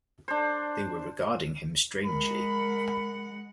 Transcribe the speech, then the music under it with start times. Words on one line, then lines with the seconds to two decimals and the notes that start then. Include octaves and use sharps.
They were regarding him strangely.
0.28 D4 C5
2.05 G#3 A#4 F#5 B5